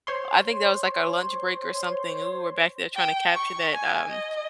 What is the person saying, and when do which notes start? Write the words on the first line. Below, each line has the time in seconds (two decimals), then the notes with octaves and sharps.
I think that was, like, our lunch break or something, and we were back there trying to capture that, um
0.07 C5 C#5 C6
2.95 G5
3.34 C#6
3.73 G#5
4.09 D#5